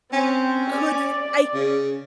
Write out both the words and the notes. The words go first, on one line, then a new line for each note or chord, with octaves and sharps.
could f I,
C4 C#4
D5
C#3